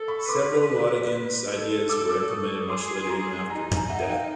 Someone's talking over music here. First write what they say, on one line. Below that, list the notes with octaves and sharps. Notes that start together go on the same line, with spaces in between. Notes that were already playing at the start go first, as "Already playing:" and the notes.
Several Lodygin's ideas were implemented much later, even after his death.
Already playing: A4
B5 C#6
B4 C6 D6
A4
D6 E6
D6 E6
C#6 D#6
G#4 C6 D6
A#5 C6
D#4 G#5 A#5
G#5 A#5
D#4 E5 F#5
F5 G5